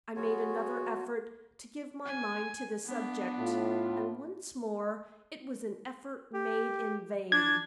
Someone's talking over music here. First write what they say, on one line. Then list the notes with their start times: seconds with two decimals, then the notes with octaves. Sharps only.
I made another effort to give my mind to the subject--and once more it was an effort made in vain.
0.16 B2 F#3 B3 F4 F#4 G#4 C#5
2.06 G#5
2.86 B3 D4
3.39 A2 F4
6.34 G4
7.32 D4 G#6